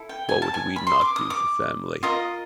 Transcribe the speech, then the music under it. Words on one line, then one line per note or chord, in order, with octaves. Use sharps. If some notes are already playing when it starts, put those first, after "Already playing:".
What would we not do for family?
Already playing: E4 A4
G5
G#5
A5
G#5
B5
C6
D6
D#6
D6
F4 A#4 D#5 D#6